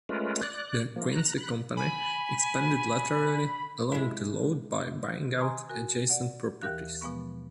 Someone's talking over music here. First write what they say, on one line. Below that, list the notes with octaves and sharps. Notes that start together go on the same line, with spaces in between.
The Quincy company expanded laterally along the lode by buying out adjacent properties.
G#3 A3 C#4 F4 A#4 B4
D5 F#6
F3 A#3
A#5 F#6
B5 F#6
G#5 B5
G#3 E4
D#3
G#5 A#5 C6 C#6 D#6 G#6
F#4 A#4 G#5
D5 F#5
D#2 E3 G4 A#4 F5 F#6
B2 F3 G#3 B3 C#6